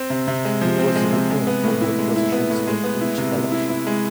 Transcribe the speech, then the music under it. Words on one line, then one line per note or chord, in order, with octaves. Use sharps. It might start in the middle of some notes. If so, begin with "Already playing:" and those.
He was returned for both positions in each election.
Already playing: C4
C3
C3
G#3
F3
C4
G#3
C3
G#3
B3
A2
E4
G#3
E4
B3
A2
G#3
B3
E4
C3
C3
E4
E4
G#3